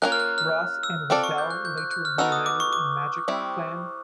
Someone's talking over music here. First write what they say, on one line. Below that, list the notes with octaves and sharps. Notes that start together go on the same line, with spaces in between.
Ross and Weddell later reunited in Magic Clan.
A#3 C#4 F4 A#4 F#6
F6
F#6
F6
E6
C4 F4 A4 D5 D6
C#6
G6
F#6
G6
F#6
F#6
F6
B3 D#4 F#4 A4 E6
D#6
D6
C#6
D6
G3 C4 E4